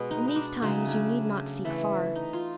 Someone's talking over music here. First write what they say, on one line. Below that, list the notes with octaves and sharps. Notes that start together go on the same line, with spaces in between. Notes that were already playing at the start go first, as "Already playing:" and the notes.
In these times you need not seek far.
Already playing: B2 G#3 B3
D#4
D#4
D4
C#3 F#3 A3 D#4
D4
E3 A3
D#4
F4